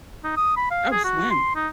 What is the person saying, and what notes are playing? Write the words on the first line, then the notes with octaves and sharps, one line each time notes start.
Oh, swim.
D#4
D#6
B5
F5
G#4
F#4
C6
D#4